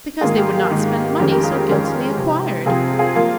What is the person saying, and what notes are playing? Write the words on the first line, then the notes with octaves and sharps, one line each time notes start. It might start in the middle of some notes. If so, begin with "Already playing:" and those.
"Because they would not spend money so guiltily acquired."
G#2 D#3 A#3 F4 G#4
G4
G4
G#2 D#3 A#3
F2 D#3 G#3 C#4 G4
G4 A#4
F4 G#4
G4
F2 D#3 G#3 C#4 F4
F4
C3 F3 C4 G4
C3 F3 C4 F4 G#4
F4 G#4
F3 A#3 F4